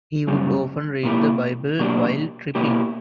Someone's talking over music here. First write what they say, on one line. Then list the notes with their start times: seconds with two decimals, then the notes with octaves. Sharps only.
He would often read the Bible while tripping.
0.27 F#2 C#3 G3
1.03 A#2 A#3 E4 G4
1.79 B2 F#3 A#3 D4 G4
2.55 B2 A#3 E4 G4